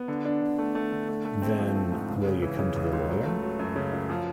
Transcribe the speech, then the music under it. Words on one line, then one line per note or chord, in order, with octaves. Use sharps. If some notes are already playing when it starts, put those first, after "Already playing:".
Then, will you come to the lawyer?
Already playing: B3
D3
D4
D3
A3
A3
D3
A3
A3
C4
F3
A3
G#2
C#2
C#3
E3
C#3
C#2
C#2
F#3
A3
F#3
F#2
C#3
F#2
F3